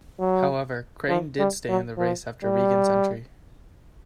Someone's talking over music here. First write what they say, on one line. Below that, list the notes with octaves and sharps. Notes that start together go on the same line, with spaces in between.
However, Crane did stay in the race after Reagan's entry.
F#3
F3
G3
F#3
F3
G3